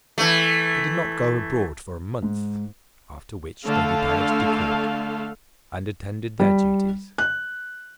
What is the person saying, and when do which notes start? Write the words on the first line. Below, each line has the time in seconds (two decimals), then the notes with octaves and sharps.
They did not go abroad for a month, after which they repaired to court, and attended their duties.
0.18 E3 A3
2.23 G#2
3.65 D3 A3 A4 F5
6.40 G3
7.18 F#6